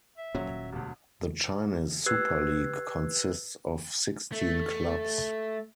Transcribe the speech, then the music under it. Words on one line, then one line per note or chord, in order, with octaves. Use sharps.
The Chinese Super League consists of sixteen clubs.
E5
D#1 A#2 F#3 C#4
E1 D2 G4
G4 B4 E6 F#6 G#6 C7
A3